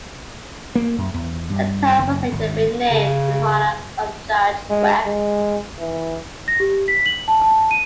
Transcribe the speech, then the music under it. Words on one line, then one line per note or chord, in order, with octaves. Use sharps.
The town was later renamed in honor of Judge Webb.
A#3
F#2
E2
G2
F#1
G#1
C#3
G#3
G#3
E3
A#6
G4
B6
F#7
A5
A5
D#7